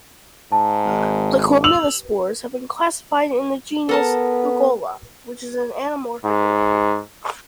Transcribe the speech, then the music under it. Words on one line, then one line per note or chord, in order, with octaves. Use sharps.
The chlamydospores have been classified in the genus "Ugola", which is an anamorphic name.
G#2 A5
G#1
E6 F7 F#7
B3 A4 A#4 A5
G#2